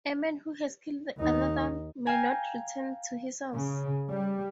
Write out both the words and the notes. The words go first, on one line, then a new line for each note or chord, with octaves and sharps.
A man who has killed another may not return to his house.
D#2 D#4
F5 G5 G#5 A#5
C#3
G3